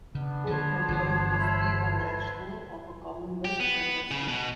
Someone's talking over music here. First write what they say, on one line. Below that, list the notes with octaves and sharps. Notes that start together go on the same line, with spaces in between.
Full members must be a national of a Commonwealth member state.
C#3 B3 D4
D3 F3 C5 C#5 A5
G1 G2 E3
F4 E5 B5
E4 A4 B4
G4
B3
C#3
B2